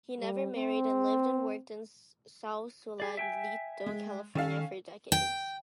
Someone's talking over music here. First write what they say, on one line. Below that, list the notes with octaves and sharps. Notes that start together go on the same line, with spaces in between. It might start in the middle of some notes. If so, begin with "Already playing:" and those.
He never married, and lived and worked in Sausalito, California for decades.
G3
C4
G4 G#4 D5
E5 G5 G#5
G#3
D#3 C#4 A4 F5
G5